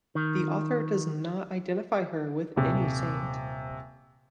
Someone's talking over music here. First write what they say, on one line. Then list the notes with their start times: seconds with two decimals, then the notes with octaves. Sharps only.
The author does not identify her with any saint.
0.15 D#3
2.56 D#1 C3